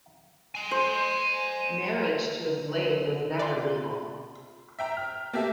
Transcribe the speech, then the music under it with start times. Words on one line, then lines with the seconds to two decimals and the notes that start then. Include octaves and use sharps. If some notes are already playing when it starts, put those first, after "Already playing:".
Marriage to a slave was never legal.
0.55 G#5 C6
0.71 C5
2.46 D3
3.39 F4 D5
3.65 C3
4.79 E5 G5 A#5
4.97 F6
5.33 A#3 G4 A4 E5